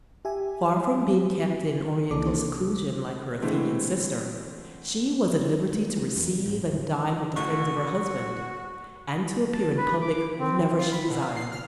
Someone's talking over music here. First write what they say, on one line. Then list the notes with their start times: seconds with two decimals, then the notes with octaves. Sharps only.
Far from being kept in oriental seclusion, like her Athenian sister, she was at liberty to receive and dine with the friends of her husband, and to appear in public whenever she desired.
0.25 G4 E5 G#5
2.11 C2 E3 A#3 D4 A4 D6
3.42 D3 E3 G#3 A3 C4
5.68 G#3 A#3
6.16 E2
6.45 G#2 F#3
6.61 D#2
6.79 F#3
7.36 A1 F#4 C#6
9.53 A5
9.77 B4
10.01 D6
10.39 C4
10.79 F4
10.92 B5
11.10 B2
11.22 F5
11.36 C7
11.52 F6